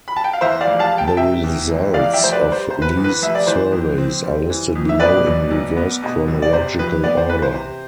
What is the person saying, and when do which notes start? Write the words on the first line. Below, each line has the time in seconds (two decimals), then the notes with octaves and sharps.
The results of these surveys are listed below in reverse chronological order.
0.08 B5
0.16 A5
0.24 G5
0.33 F5
0.41 E2 C5 E5
0.61 D5 F5
0.67 F1
0.79 F5 A5
0.92 G3
0.98 G5
1.08 A5
1.17 C3 E5 G5
1.44 E2
1.69 F1
1.94 E2 D5 F5
2.13 E5 G5
2.20 F1 C5
2.32 B4 D5
2.45 G3
2.52 C5
2.70 C3 C5
2.82 B4
2.97 E2
3.04 B4
3.22 F1 E5
3.35 D5
3.47 E3 C5
3.72 F2
3.98 C4
4.23 G3
4.50 E3
4.75 F2
4.89 E5
5.00 B2 B4 D5
5.26 B1
5.51 B1
5.76 B3
6.03 B2
6.28 B1
6.42 D5
6.53 C3 C5
6.79 F2 B4
7.04 B3 D5
7.17 C5
7.29 E3 B4
7.42 C5
7.55 C3